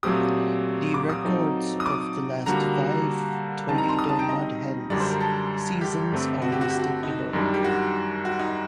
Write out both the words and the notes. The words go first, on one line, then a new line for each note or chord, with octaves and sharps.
The records of the last five Toledo Mud Hens seasons are listed below.
A#2 F#3 A3 C4 G4 D#6
D6
D#6
F#3 C4 D#4 A4
D#6
D6
D3 G3 A#3 F#4 A#5
D#3 G3 C4 D#4 A5
A#5
C6
D#6
A5
G5
D#5
F#2 D3 G3 D5
C5
A#4
A4
G4
G2 D3 A3 C4
F#4
G4
F#4
G4
F#4
D#4
F#2 D#3 G3 D4
G4
F#4
F#4
D#4